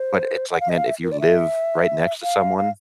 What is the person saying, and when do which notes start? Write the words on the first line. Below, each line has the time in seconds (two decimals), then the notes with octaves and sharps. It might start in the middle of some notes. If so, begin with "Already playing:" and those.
But it's like, man, if you live right next to someone
Already playing: C5
0.52 F#5
0.60 F5
0.69 D#5
0.78 F5
0.87 E5
1.03 A#4
1.12 D5
1.20 E5
2.23 F5
2.58 F5